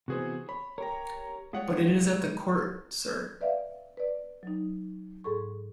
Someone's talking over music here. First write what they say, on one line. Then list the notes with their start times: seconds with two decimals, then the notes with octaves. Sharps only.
But it is at the Court, sir.
0.08 C3 E3 B3 F#4 G#4 C5
0.49 C#5 B5
0.78 G4 A#4 C#5 A#5
1.53 G3 G#3 F4 C#5 F#5 D#6
3.41 B4 D5 E5 F5
3.97 B4 D5
4.43 F#3 D#4
5.24 G#2 G#4 A4 C#6